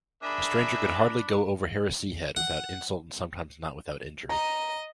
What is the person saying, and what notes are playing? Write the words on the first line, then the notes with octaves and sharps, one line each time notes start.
A stranger could hardly go over Harriseahead without insult and sometimes not without injury.
D4 G#4 A#4 E5 B5
F#5
D#5 A#5 D#7